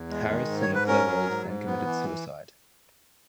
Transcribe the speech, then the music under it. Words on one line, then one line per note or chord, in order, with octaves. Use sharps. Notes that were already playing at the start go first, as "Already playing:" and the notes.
Harris and Klebold then committed suicide.
Already playing: E2
G#3
D#3
G#2
C#5
G#2
B4
C#4 A#4
F#3
G#2
G#2
B3
E3